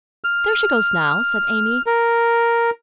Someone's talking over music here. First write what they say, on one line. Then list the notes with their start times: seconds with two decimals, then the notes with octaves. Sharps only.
"There she goes now," said Amy.
0.24 F6
1.87 A#4